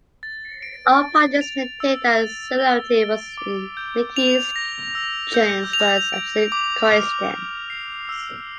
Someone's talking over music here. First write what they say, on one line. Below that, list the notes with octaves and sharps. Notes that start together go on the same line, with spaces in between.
All parties maintained that the similarity was, in Nicky Chinn's words, "absolute coincidence".
A6
D7
A6
F7
E6
A6
G7
D7
D6
G6
F7
A#6
E6
G6
F7
D7
D6
F6
D6
C7
E6